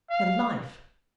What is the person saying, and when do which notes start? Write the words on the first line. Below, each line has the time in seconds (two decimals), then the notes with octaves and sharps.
The life!
0.10 F5